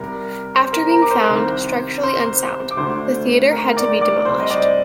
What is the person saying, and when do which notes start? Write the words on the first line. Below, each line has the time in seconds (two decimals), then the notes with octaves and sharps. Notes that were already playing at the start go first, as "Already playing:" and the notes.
After being found structurally unsound, the theatre had to be demolished.
Already playing: C2 C3 G3 A#4 A#5
0.55 C5 C6
0.73 A#4 A#5
0.91 A#4 A#5
1.02 D6
1.10 C5 C6
1.29 C2 C3 D#3
2.03 C5 C6
2.71 D6
2.77 D2 D3 A3 C5 C6
3.51 A#4 A#5
3.76 D5 D6
4.01 D5 D6
4.25 C2 C3 G3 C5 C6
4.40 D#5
4.50 D5